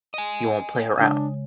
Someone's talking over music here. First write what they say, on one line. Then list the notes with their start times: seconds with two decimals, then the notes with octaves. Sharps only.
you won't play around.
0.14 D#5 G#5
0.98 C#3 G#3 D4